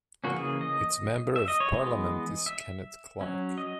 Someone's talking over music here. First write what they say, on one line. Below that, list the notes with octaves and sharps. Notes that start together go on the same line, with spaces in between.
Its Member of Parliament is Kenneth Clarke.
C#3 E3 A#3 C#4 F#4
G#4
D#5
E5
D#5
C#5
E3 G#3 B3 D#5
E5
F#3 C#4
D#5